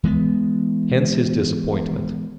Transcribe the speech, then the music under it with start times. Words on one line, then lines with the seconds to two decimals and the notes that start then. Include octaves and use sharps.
Hence his disappointment.
0.04 E3 G#3 A#3 B3